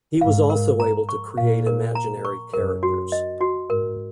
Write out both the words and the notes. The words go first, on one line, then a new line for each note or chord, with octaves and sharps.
He was also able to create imaginary characters.
G#2 F5
A#4
A#5
C#6
A#2 F5
A#4
A#5
C#6
F#2 A#4
F#4
D#5
F#4
G#2 A#4